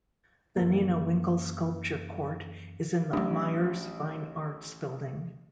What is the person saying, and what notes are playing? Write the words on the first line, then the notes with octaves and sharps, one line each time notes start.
The Nina Winkel Sculpture Court is in the Myers Fine Arts Building.
F#2 E3 A#3
A1 F#3 D4